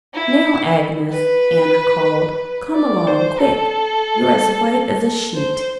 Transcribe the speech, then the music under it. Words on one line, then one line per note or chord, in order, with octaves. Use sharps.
'Now Agnes,' Anna called, 'come along, quick; you're as white as a sheet.
E4
B4
D5
C5
A4
C5